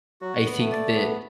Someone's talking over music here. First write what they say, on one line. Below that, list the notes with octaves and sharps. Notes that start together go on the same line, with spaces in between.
I think that,
F#3 F#4
B3
A3
D5
B3